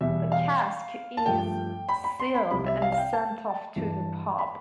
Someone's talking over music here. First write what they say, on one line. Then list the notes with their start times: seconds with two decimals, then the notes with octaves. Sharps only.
The cask is sealed and sent off to the pub.
0.01 E2 B2 G3 E5
0.32 F5
1.17 A5
1.26 G2 F3 A3 G5
1.89 B5
2.04 B5
2.20 C6
2.35 B5
2.51 C2 C3 G3 B5
2.66 E5
2.82 F5
2.92 F5
2.98 G5
3.13 A5
3.76 G2 E3 G3
4.39 B5